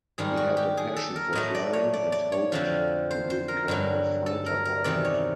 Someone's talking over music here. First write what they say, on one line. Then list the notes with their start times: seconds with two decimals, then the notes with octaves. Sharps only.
He had a passion for flying and hoped to become a fighter pilot.
0.18 G#2 D#3 G3 G#4
0.37 F#4
0.57 G4
0.77 G#4
0.96 A4
1.16 A#4
1.33 A2 F#3 A3 D#5
1.55 D5
1.73 C#5
1.94 D5
2.12 D5
2.32 C#5
2.52 F2 D3 F3
3.11 C5
3.30 C5
3.48 A#4
3.68 G2 D3 F#3
4.26 A4
4.46 A#4
4.65 A#4
4.84 E2 C3 D#3 D5
5.05 C#5